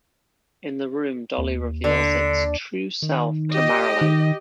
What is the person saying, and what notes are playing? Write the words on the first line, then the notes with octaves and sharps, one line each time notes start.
In the room Dolly reveals its true self to Marilyn.
D#2
D3
D#3
G4 D#5
D#3